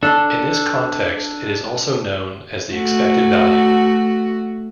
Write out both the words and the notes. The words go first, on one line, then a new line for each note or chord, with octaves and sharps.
In this context, it is also known as the expected value.
D4 A4
A3 F#4